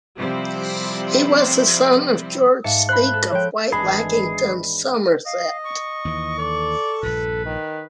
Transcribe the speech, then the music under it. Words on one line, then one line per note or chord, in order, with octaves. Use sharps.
He was a son of George Speke of Whitelackington, Somerset.
C3 F3 G3 C4 E4
G#2 E5 F5 A5 C#7
C5 B5 F#6
A4
F3 C#5 G5
G#1 E3 G#3 D4 G#4 B5
D#5 F5
C#6
D#2 E3
A4 D5
A#1 G2 A#2 B4
D#3